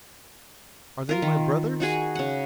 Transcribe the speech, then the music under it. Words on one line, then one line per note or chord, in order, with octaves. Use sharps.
"Are they my brothers?"
F4 A#4
D#3
D#4 F#4 G#4
C#3 F#5